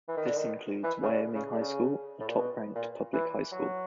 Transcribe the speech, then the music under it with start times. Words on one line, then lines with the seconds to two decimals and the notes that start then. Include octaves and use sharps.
This includes Wyoming High School, a top-ranked public high school.
0.08 E3
0.17 D#3
0.27 D3
0.37 D#3
0.83 E3
1.03 C#3
1.10 D3
1.34 C#3
1.52 D3
1.61 C#3
2.20 A2
2.28 A#2
2.36 B2
2.75 A#2
3.13 E3
3.52 F#3